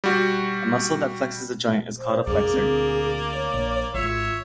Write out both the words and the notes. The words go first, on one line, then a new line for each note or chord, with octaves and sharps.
A muscle that flexes a joint is called a "flexor".
G3 F#4
C5
C2 F#2 A#3 G#4 D5
D2 C4
C#5
A#1
G#1 F4 C#5 E5